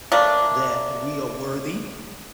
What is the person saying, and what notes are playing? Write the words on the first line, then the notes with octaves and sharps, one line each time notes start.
That we are worthy.
A3 A#3 D4